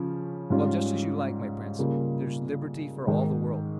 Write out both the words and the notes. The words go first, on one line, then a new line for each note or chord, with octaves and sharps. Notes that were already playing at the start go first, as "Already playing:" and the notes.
Well, just as you like, my prince; there's liberty for all the world.
Already playing: C#3 F3 C#4
G#2 G3 C#4 F4
C#3 G3 A#3 F4
G#2 D#3 G#3